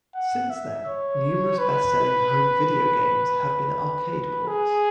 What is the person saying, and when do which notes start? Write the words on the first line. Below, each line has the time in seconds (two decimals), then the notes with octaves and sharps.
Since then, numerous best-selling home video games have been arcade ports.
0.14 F#5
0.50 E5
0.86 C#5
1.58 B4
4.47 G#4